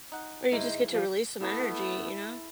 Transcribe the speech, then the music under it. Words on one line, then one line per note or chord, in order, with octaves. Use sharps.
Or you just get to release some energy. You know?
D#4 F#5
G1 G#2 E4 B4 C5 D#5 A#5
F3 G4
A3 B3 E4 A4